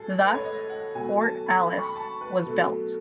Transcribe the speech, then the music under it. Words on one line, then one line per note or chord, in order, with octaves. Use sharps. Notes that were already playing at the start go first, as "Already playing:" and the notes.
Thus Fort Alice was built.
Already playing: A2 F#3 A3 G#4 A4
B4
C#5
D#5
F#5
B2 F#3 A3 G#5
A5
B5
B5
C#6
B5
A5
B4
B2 F#3 A3